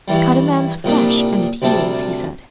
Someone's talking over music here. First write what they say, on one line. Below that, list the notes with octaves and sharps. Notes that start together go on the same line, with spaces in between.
"Cut a man's flesh and it heals," he said.
G2 E3 G3
C2 A#2 G3 D4
D2 C3 G3 D4 A4